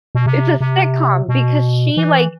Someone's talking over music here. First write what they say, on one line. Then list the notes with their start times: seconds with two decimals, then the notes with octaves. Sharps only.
it's a sitcom because she, like,
0.15 B2
0.26 C3
0.61 C3
1.28 B2
1.97 E3